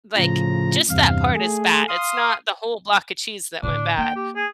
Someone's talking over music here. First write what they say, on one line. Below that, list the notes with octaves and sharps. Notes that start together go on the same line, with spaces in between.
like, just that part is bad, it's not the whole block of cheese that went bad.
A2 C#3 F3 A#5
E2 G2 C3 F5
A3 G#4
F5 C6 D#6
A2 D3 D4
A#3 G5
G4
G#4